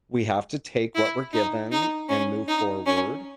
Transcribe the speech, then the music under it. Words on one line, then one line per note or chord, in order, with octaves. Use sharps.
we have to take what we're given and move forward,
E4
D#4
D#4
C#4
D#4
C#4